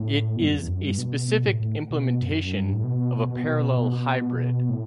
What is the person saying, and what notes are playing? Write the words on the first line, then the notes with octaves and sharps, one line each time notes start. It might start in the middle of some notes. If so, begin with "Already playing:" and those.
It is a specific implementation of a parallel hybrid.
Already playing: A2
B2
G2
F#2
E2
F#2
G2
B2
B2
A2
A2
B2
F#2
G2
A2
B2
B2
B2
B2
B2
B2
A2